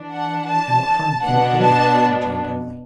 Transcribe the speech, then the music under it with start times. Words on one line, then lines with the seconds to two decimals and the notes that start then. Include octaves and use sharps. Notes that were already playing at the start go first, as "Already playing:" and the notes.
'And what harm can it bode?' rejoined Emily.
Already playing: E3 D4
0.11 F#5
0.49 A5
1.24 B2 B3 D4 F#5
1.62 A5